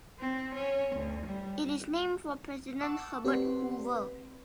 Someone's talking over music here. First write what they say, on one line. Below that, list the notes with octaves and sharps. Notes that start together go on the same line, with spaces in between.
It is named for president Herbert Hoover.
C4
C#4
D2
G3
F#5 A5 C#6 D6 E6
C4 G4 B4 D5 F#5 C6
B4